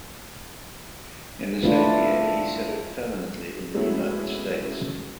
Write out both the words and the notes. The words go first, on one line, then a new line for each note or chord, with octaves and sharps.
In the same year, he settled permanently in the United States.
A3 D4 E4 F4 B4
G#3 A3 B3 C#4 E4 F#4